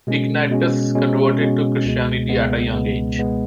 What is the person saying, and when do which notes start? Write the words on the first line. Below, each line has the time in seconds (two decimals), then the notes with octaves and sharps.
Ignatius converted to Christianity at a young age.
0.07 B2 G#3 C#4
0.51 B2 G#3 C#4
0.95 B2 G#3 C#4
1.40 B2 G#3 C#4
1.85 C#2 B2 G#3 B3
2.29 C#2 B2 G#3 B3
2.73 C#2 B2 G#3 B3
3.19 C#2 B2 G#3 B3